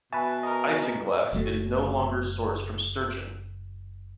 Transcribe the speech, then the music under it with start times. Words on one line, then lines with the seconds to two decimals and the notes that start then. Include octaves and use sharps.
Isinglass is no longer sourced from sturgeon.
0.13 B2 B4 E5 G#5 A5 C#6
0.43 A#4 D#5
1.33 F#1 F#3 A3